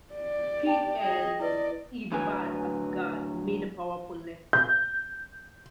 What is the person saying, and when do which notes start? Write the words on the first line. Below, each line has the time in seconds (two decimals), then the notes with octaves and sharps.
He and Ed Budde at guard made a powerful left side.
0.12 G4 D5
0.67 G5 A5
1.01 G#4 D#5 G5 D#6
1.40 E4 B4 D5 D#5
2.12 A2 D3 F#3 B4 G#5
4.53 G6